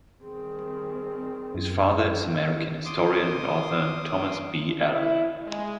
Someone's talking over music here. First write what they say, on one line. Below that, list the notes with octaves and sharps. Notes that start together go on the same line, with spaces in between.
His father is American historian and author Thomas B. Allen.
D#3 G3 C4 G#4
F#2
C6 D6 D#6
E4
G#3